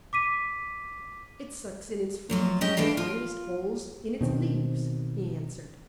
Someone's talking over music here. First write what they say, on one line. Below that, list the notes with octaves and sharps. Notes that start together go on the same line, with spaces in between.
"It sucks in its food through the tiniest holes in its leaves," he answered.
D6 B6 D#7
F2 F#3 F4
C#4 G4 D#5 G5
E3 A3 D4 F5 G5
F4
B2 D#3 C4